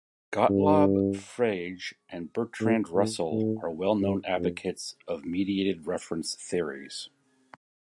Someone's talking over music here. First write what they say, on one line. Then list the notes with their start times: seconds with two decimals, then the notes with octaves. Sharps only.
Gottlob Frege and Bertrand Russell are well-known advocates of mediated reference theories.
0.49 G2
2.60 A2
2.96 A2
3.31 A2
4.01 G2
4.37 F2